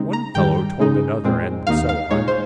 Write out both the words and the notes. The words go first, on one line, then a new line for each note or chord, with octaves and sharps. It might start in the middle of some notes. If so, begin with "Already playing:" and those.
One fellow told another and so on.
Already playing: C#3 G#3 C4 D#4
A#5
G#2 D#3 G3 G5
C#3 G#3 D#4
A#2 G#3 C4
D#2 D#3 A#3 D#4 F5
F5
A#2 G#3 D#4 C#5
C5